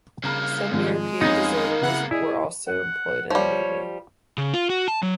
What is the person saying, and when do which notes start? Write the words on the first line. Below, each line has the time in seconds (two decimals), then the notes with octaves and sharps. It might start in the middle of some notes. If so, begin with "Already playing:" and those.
Some European deserters were also employed in the navy.
0.23 G2 C#3 A#3 A#5 B5
0.71 G#1 F3 G#3
1.21 F2 A#3 B3 C#4 D#4 A#5
1.82 C#3 E4 F#5
2.11 E4 G#4 D5 D#5
2.68 F#5
3.30 F3 G3 C#5
4.38 C#3
4.54 F4
4.70 F#4
4.88 A5
5.03 F#3